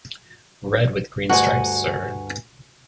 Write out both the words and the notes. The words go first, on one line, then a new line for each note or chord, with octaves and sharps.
Red, with green stripes, sir.
D2 G2 F#4 G#5